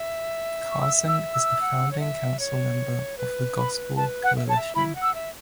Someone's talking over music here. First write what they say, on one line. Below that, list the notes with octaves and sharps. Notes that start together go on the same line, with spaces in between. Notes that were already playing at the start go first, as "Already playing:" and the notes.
Carson is a founding council member of The Gospel Coalition.
Already playing: E5
C#6
E6
E6
E6
F#5
C#5
E5
C#5
B4
B5
B4 A5
F#5
E5
C#5 A5
E5
E4 B5
F#5
E6
E5